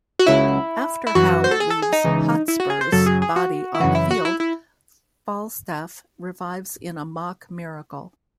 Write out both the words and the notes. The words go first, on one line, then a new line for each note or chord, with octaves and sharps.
After Hal leaves Hotspur's body on the field, Falstaff revives in a mock miracle.
F#4
C#2 C#3 F#3 E4
E4
F#2 E3 F#4
C5
A4
G#4
A4
G#4
D#4
C#2 C#3 E3
E4
F#4
G#4
C5
F#2 C#3 F#3 A4
G#4
G#4
F#4
E4
F#2 C#3 E3 F#4
E4
F#4
E4
E4